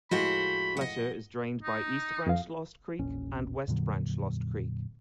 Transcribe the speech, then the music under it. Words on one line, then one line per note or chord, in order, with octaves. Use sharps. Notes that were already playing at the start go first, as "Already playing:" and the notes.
Fletcher is drained by East Branch Lost Creek and West Branch Lost Creek.
A2 F3 G#3 F#4 C5 F#5 B5
D#5 F#5
D#4
F2 F5
E1 A#1 C#4
F2 A#2 D3 F#3